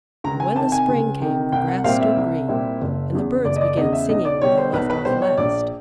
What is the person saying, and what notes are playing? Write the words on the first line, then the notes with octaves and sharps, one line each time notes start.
And when the spring came the grass stood green, and the birds began singing where they left off last.
C#2 A#5
G#5
C3 D#3 A5
G#5
C#2
C3 D#3
C2 G5
F#5
A#2 G3 C4 E4 F5
E5
C2
A#2 G3 C4 E4
F#1
E2 C#3
F#1 D5
D#5
D5
E2 C#3 D#5
E5
B1 D#5
D5
B2 G3 C#5
C5
B1 B4
B4
B2 G3 C5
C#5
A#1 D5